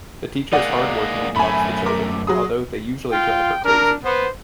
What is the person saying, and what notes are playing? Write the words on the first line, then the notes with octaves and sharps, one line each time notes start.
The teacher is hard-working and loves the children, although they usually drive her crazy.
G#3 A#3 D#4 D5 F#5
F#2 A3 G#5 B5
A#4 D6
F#3 G#4 D#6
F4 G5
D4 A#4
B3 C5